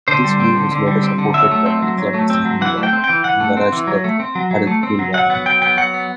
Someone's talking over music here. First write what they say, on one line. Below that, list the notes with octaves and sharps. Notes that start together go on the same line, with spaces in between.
This view was later supported by Alexander Sahinian and Varazdat Harutyunyan.
D3 C5
G3
C4
D3
D3
G3
C4
D3
F#3 E5
A3
C4
F#3
F#3
A3
C4
F#3
E3 F#5
A3
G5
C4
G5
E3
E3 F#5
A3
C4
E3
F#3
A3
C4
F#3
F#3
A3
C4
F#3
F#3 F#5
B3 F#5
F#3 G5
B3 G5
F#3 F#5
B3